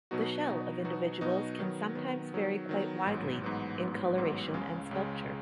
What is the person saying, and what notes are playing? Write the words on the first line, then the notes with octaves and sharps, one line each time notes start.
The shell of individuals can sometimes vary quite widely in coloration and sculpture.
B2 F#3 B3 D#4 F#4
B2 F#3 B3 D#4 F#4
B2 F#3 B3 D#4 F#4
B2 F#3 B3 D#4 F#4
D#3 F#3 B3
D#3 F#3 B3
D#3 F#3 B3
D#3 F#3 B3
A1 G#2 F#3 B3
A1 G#2 F#3 B3
A1 G#2 F#3 B3
A1 G#2 F#3 B3
C#2 C#3 G#3
C#2 C#3 G#3